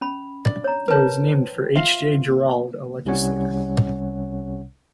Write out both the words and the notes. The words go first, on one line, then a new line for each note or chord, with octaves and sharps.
It was named for H. J. Jerauld, a legislator.
C#4 B5
D5
C#5 A#5
A#4 B4 C#5 A5
F4 E5 F5
C2 C3 G3 C#4 C#5 F#5